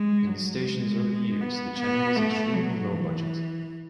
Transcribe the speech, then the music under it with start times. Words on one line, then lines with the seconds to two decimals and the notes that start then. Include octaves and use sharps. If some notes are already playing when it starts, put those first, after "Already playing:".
In the station's early years, the channel was extremely low-budget.
Already playing: G#3
0.27 F#3
0.64 G#3
1.41 B3
1.79 B3
2.16 A3
2.54 F#3
2.92 E3